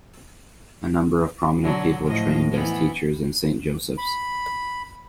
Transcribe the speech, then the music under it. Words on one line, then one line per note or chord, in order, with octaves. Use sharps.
A number of prominent people trained as teachers in Saint Joseph's.
B2 D3 F#3
A2 F3 D#5
E3 B3
B5